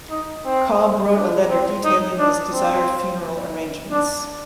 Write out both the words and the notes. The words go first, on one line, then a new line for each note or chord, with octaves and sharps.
Cobb wrote a letter detailing his desired funeral arrangements.
D#4
C4
D4
C4
D#4
D4
C4
D4